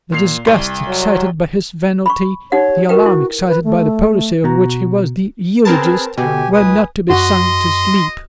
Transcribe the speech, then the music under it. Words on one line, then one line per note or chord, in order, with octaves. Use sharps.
The disgust excited by his venality, the alarm excited by the policy of which he was the eulogist, were not to be sung to sleep.
A#2 C7 F7
C2
F#3
B5 C#6
D#4 G4 C#5 F#5
F#4 A#4 B4 G5
E4
B4
A3
B2 F#4 A#5
C4 G#4 A#4 B4 A5
B2 D3 G4 G#5
C#2 B4 G#5 D#6
F#2 F#4 D#5 C6